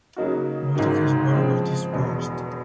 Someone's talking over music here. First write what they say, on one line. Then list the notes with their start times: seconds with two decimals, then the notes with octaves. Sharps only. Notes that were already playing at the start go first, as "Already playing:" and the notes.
Most of his work was dispersed.
0.16 C#3 F#3 A#3 D#4 F#4
0.75 G#1 G#2 D#3 F#3
1.34 C#3 F3 G#3 C4
1.92 E1 E2 B2 F#3